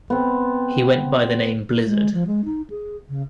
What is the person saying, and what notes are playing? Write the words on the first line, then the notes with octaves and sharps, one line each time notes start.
He went by the name Blizzard.
B3 C4
G#3
F3
G#3
D#4
G#4
C#3